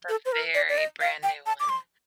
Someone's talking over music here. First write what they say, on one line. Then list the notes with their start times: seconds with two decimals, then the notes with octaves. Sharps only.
The very brand new one.
0.09 A4
0.26 C5
0.32 A#4
0.55 D5
0.69 D5
0.78 D#5
1.01 F5
1.23 G5
1.46 A5
1.60 D6
1.69 C6